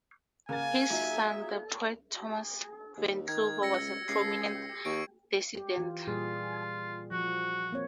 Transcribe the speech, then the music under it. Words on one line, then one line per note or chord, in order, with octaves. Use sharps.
His son, the poet Tomas Venclova, was a prominent dissident.
C#3 A#3 A#4 F5 F#5 G#5 A6
F#3 D#4 F4 E5
D#2
D#3 G#6
C#2 E6 A#6 C#7
C#2 C7
D#2 C#6 D7
G4
E3 F4
A#2 G3 F4 G#4
F3 F#4
A#3 C4 C#5